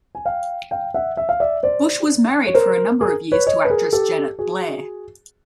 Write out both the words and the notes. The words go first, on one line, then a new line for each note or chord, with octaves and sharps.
Busch was married for a number of years to actress Janet Blair.
G#5
F5 G5
F5 G5
E5 F#5
E5
F5
D5 E5
C5 D5
C#5
A#4 C5
G#4 A#4
B4 C#5
C#5 D#5
B4
G#4 A#4
G4 A4
F#4 G#4